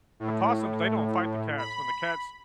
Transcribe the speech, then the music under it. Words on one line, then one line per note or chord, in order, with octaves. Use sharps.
the possums, they don't fight the cats. When the cats
A2
B5